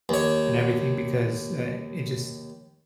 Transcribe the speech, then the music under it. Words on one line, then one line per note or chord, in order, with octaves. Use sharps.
and everything because, uh, it just
D#2 C#5